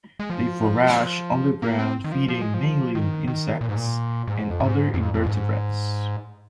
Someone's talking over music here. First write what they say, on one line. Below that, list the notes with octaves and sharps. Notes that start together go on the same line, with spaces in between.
They forage on the ground feeding mainly on insects and other invertebrates.
G#3
F3
A#3
C4
D#3
F3
F3
G#3
F3
D#3
D#3
A#2
G#2
A#2
G#2
F2
G#2
F2
F2
G#2